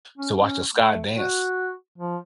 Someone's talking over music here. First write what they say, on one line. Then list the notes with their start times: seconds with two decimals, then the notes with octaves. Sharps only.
so watch the sky dance,
0.18 C#4
0.37 C#4
0.76 A3
1.16 F#4
1.98 F3